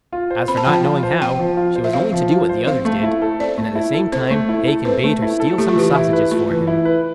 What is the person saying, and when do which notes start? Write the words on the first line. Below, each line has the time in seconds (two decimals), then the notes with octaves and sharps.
As for not knowing how, she was only to do what the others did, and at the same time Hacon bade her steal some sausages for him.
0.13 F4
0.30 C5
0.48 C4 B5
0.57 A5
0.65 F3 G5
0.73 A5
0.85 F4
1.03 C5
1.22 C4 G5
1.39 F3
1.57 F4
1.75 C5
1.84 E5
1.93 C4 F5
2.13 F3
2.31 F4
2.49 C5
2.66 C4 F5
2.85 A3
3.03 E4
3.22 A4
3.39 C4 D5
3.58 A3
3.75 E4
3.94 A4
4.12 C4 C5
4.31 A3
4.49 E4
4.67 A4
4.85 C4 B4
5.04 A3
5.22 E4
5.40 A4
5.58 A3 G4
5.69 F4
5.76 E3 G4
5.95 E4
6.13 B4
6.31 A3 F4
6.50 E3
6.67 E4
6.85 B4